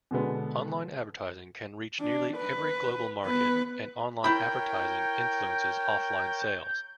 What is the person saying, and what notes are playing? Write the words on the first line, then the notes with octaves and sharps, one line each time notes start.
Online advertising can reach nearly every global market, and online advertising influences offline sales.
B2 D3 G#3 B3
D4
B4
B3 B4
E4 A#4 C#5 G5 B5 G6